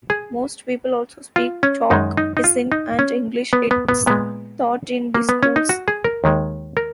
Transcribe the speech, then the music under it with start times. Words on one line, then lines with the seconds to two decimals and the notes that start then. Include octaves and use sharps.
Most people also speak Tok Pisin, and English is taught in the schools.
0.10 G#4
1.36 F4
1.63 C#4
1.90 F#2 D#3 G#3 D#4
2.17 D#4
2.37 D#4
2.44 F4
2.72 D#4
2.99 C#4
3.53 B3
3.71 B3
3.89 B3
4.06 A#2 G#3 B3
5.14 A#3
5.29 B3
5.43 C#4
5.56 D#4
5.69 F#4
5.88 G#4
6.04 A#4
6.24 D#2 D#3 G#3
6.77 A#4